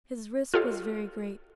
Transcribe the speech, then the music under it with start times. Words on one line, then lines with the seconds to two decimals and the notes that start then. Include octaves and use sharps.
His risk was very great.
0.54 F4 G4 A4 C#5 D#5 F5